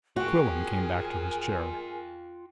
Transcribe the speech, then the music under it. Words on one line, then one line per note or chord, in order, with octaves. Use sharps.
Quillan came back to his chair.
F4 F#4 G#4 A#4 G5 G#5